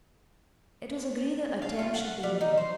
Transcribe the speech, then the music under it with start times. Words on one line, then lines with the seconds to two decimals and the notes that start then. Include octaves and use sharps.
It was agreed the attempt should be made.
1.62 F5
1.79 F4
1.94 F#5
2.23 G3
2.41 D#4
2.57 C5